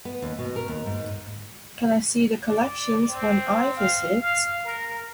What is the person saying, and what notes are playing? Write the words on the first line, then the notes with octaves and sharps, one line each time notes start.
Can I see the collections when I visit?
B3
D#2
B2
A#4
D#2
G#2
D5
C4
F5
F5
A#4